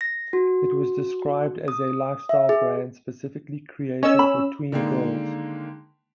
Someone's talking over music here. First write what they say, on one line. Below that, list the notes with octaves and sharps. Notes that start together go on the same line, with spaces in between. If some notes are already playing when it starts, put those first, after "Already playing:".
It was described as "a lifestyle brand specifically created for tween girls".
A#6
F#4
D#6
E5
G#4
C#4 C#5 D#5 E6
B5
D3 D#3 G#3 A#3